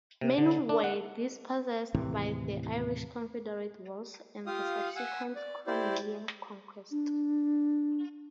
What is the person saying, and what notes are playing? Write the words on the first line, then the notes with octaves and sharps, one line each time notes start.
Many were dispossessed by the Irish Confederate Wars and the subsequent Cromwellian conquest.
C3
D3
D4
F#5
D#2 A2 C3 E3
F4 G4 F5 D#6
F#5 G#5 E6
D5
E4 G4 C5 D5
D4